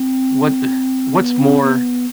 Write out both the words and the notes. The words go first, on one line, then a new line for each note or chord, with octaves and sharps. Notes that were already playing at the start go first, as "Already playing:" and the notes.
what, uh, what's more
Already playing: C4
B3
C4
B3